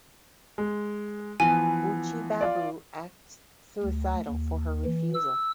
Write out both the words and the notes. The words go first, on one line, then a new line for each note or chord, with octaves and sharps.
Buchi Babu acts suicidal for her refusal.
G#3
E3 F3 B3 G#5
F4 D5
D2
D#2
E3
E6